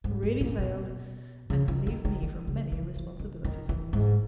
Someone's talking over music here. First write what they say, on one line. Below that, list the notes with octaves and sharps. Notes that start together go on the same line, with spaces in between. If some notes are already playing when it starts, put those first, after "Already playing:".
'Really sailed, and relieved me from many responsibilities.
G#2
G#2
A#2
B2
C#3
D#3
D#3
D#3
D#3
C#3
E3
E3
D#3
D#3
E3
G#2